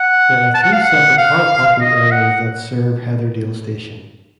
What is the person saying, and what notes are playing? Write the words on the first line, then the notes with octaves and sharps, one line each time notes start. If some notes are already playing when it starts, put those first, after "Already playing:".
There are three separate car parking areas that serve Heatherdale station.
Already playing: F#5
A5
F#5
F5
F#5
F5
D#5
F#5